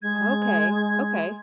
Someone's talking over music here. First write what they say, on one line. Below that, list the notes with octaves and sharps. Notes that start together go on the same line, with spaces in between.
Okay, okay.
G#3 G#6